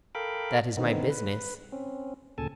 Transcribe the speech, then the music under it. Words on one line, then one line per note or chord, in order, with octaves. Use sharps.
"That is my business."
A4 A#4 F5 G5 B5 D6
D3 D#3 B3 C4 D#4
B4
C4 C#4
D2 A#2 C#3 A4 G#5 A5